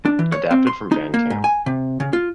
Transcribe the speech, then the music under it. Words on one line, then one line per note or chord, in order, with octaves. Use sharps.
Adapted from Bandcamp.
D4
E3
C#5
C4
C6
D#4
A#3
G#2
G#5
C3
C#3
F4